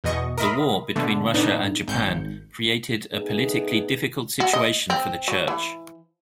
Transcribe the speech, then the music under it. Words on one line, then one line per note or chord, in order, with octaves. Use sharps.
The war between Russia and Japan created a politically difficult situation for the church.
E2 B2 D#5 C#6
A#4 D#5 E5 B5 C6
B2 D3 A3
A2 B3 D4 D#4
G#1 G6 C#7
A3 B3 D#4 G#4
F#4
D#5
C4
F#3
E3